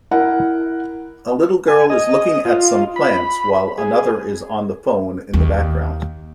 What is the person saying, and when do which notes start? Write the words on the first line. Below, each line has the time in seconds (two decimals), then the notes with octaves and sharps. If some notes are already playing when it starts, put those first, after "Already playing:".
A little girl is looking at some plants while another is on the phone in the background.
0.11 E4 A#4 F#5
1.68 G#5
1.90 D#5
2.45 F4
2.96 B5
3.78 G#4
5.34 D#2